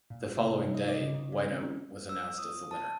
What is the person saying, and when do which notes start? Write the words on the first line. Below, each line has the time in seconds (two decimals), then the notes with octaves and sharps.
The following day, White Out was announced as the winner.
0.10 A#2
0.26 G4
0.41 C3
0.62 D#4
0.74 D#5
0.88 D6
1.01 C#3
1.14 D#3
1.32 C#4
1.48 C4
1.63 C#4
2.09 E6
2.38 D#6
2.71 A5